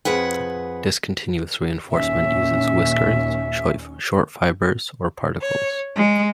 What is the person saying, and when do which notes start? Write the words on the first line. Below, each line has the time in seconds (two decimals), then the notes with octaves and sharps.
Discontinuous reinforcement uses "whiskers", short fibers, or particles.
0.05 F2 G#4 B4 F#5
1.91 D#2 A#2 C#4 E5
5.41 C#5
5.98 G#3